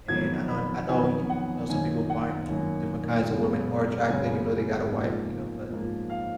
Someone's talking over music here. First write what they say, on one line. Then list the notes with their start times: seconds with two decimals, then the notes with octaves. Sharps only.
And I known and I know he you know, some people find different kinds of women more attractive even though they got a wife, you know? But,
0.08 F2 D#3 F#3 B3 G#6
0.48 B5
0.88 F2 D#3 F#3 B3 G#5
1.30 F#5
1.69 F#2 D#3 A#3 G#5
2.10 F#5
2.49 F#2 D#3 A#3
3.30 F#2 C#3 G#3 B3
4.09 F#2 C#3 G#3 B3 G#5
4.90 G#2 F3 A#3
5.70 G#2 F3 A#3
6.10 F5